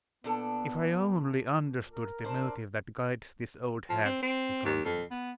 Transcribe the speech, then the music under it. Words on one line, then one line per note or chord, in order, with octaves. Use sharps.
"If I only understood the motive that guides this old hag!" he continued.
A#2 B3 D4 A4
A#4
D4 C5
F3
C4
C4
D#2
F2
B3